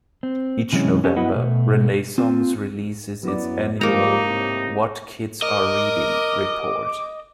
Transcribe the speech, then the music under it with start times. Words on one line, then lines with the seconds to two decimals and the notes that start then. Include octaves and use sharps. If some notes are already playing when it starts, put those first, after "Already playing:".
Each November, Renaissance releases its annual "What Kids Are Reading" report.
0.23 C4
0.73 C3 E3 F#3 G#3 C4 C#4
1.04 C#4 G4 A4 C#5
1.16 B3 E4 F#4 B4 D#5 F#5
1.32 B2 A3
2.18 C4 F4
3.23 F#2 F#3 B3 E4 D5
3.81 G#2 F3 G3 A#3 D#4 A#5
4.25 A2 C3
5.42 A#4 D#5 D6